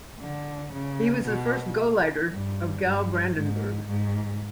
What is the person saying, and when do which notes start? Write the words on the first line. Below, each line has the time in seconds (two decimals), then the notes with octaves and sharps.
He was the first "Gauleiter" of Gau Brandenburg.
0.19 D3
0.73 C#3
1.25 B2
2.31 G2
2.84 G2
3.37 G#2
3.89 G#2